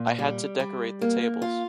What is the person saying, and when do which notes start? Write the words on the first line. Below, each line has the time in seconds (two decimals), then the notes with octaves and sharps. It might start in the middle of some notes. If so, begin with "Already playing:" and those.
I had to decorate the tables.
Already playing: A#2
0.19 G3
0.60 G3
1.01 A#3
1.42 F4